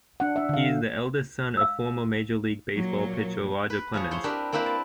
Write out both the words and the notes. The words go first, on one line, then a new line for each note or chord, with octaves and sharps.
He is the eldest son of former Major League Baseball pitcher Roger Clemens.
D4 F#5
D4 E5
D3 F5
F5 E6
A#2 F#3 A#3
B4
F3 G#4 C#5
E4 C5 C#5 C6
C4 D4 G4 A#4 B4
A#3 C4 E4 B4 C5
A5